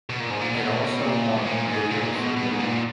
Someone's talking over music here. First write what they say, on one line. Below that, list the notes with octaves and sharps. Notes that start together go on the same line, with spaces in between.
It also won Video for Good.
B2
A#2
G#2
A#2
B2
A#2
G#2
A#2
G#2
A#2
B2
B2
G#2
A#2